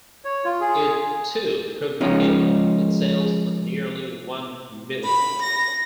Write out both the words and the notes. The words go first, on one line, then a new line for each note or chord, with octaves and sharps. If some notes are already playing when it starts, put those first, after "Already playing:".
It, too, proved a hit, with sales of nearly one million.
C#5
F4
G#4
C#3 F3 G#3 C#4 D#4
B5
A#6